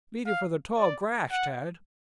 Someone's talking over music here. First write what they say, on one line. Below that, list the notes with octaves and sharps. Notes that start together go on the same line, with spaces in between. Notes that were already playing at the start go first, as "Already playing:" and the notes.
"Beat it for the tall grass, Tad!"
F5
D5
F#5